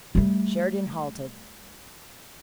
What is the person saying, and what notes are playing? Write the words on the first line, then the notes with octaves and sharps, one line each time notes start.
Sheridan halted.
G3 A3